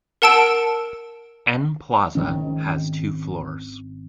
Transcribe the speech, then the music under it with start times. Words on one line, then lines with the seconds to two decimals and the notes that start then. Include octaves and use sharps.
N Plaza has two floors.
0.22 A#4 F#5 A5 E6 D7
2.15 G#1 D#3 C#4